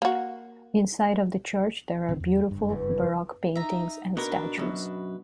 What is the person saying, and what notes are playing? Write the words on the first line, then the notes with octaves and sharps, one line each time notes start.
Inside of the church there are beautiful Baroque paintings and statues.
A#3 F#4
D#1 D3 C4
E2
F#1 G2
E2 C#3 F#3
A3 C#4
D#4 E5 A#5
B2 D4 A#4 B4
F#2 B2